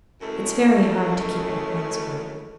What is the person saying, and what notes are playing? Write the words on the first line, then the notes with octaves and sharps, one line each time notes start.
It's very hard to keep up one's heart.
F#2 C#3 E3 G#3 A3